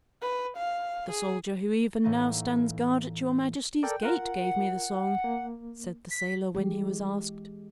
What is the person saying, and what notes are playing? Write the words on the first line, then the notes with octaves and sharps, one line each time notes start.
"The soldier who even now stands guard at your majesty's gate gave me the song," said the sailor when he was asked.
B4
F5
G#4
A2 E3 A#3 B3 D#4
A4 A#4 D5 G5
F4 A#4 F#5
A#3
B6
E3 G#3 G4